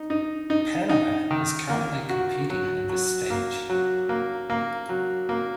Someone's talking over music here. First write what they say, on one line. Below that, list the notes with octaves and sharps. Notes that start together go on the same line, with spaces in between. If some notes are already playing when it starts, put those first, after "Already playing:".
Panama is currently competing in this stage.
Already playing: D#4
D#4
D#4
D#4
D#3
A#3
F#4
F#3
F#3
A#3
F#3
A#3
A#3
F#3
A#3